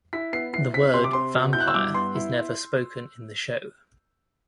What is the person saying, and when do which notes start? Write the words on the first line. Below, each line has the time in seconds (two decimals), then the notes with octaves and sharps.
The word "vampire" is never spoken in the show.
0.13 E4 B6
0.33 B3 C7
0.53 E4 C7
0.74 C4 B6
0.94 C3 C6
1.04 D6
1.13 C4 C6
1.35 B2
1.53 E4 G6
1.60 F#6
1.67 E6
1.74 G2 D6
1.94 B3 C6
2.15 E4